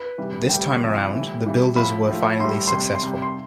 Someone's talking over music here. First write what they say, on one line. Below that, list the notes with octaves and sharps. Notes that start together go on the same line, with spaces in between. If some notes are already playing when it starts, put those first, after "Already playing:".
This time around, the builders were finally successful.
Already playing: B4
C3 E3 G3
A2 G3 G5
C3 F3
A2 E3 G3
C3 E3 G3
A2 F3 B5
A2 F3
A2 E3 G3 C6
C3 G3 C6
C6
C3 G3
C6